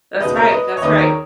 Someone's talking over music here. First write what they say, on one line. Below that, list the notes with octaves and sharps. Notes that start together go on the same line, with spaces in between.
That's right, that's right.
C#2 B2 B4 D#5
A#4 C#5
B4 D#5
C#5
E1 D#2 D#3 B4 D#5
A#4 C#5